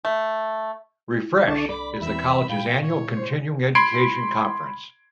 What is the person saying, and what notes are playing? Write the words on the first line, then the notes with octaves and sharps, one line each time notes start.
"Refresh" is the college's annual continuing education conference.
A3
C2 D3 D4 A5 C#6
D5 B5 D6
E2 E3 C4 E5
A#2 F5 G5
C#5
C5
B5 C6 G#6 C7 D7